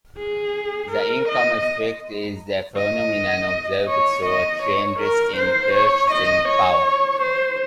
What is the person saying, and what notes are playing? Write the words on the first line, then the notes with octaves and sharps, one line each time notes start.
The income effect is the phenomenon observed through changes in purchasing power.
G#4
A#4
D#5
D#5
C#5
D#5
C#5
A#4
C5
C#5
D#5
C#5
C5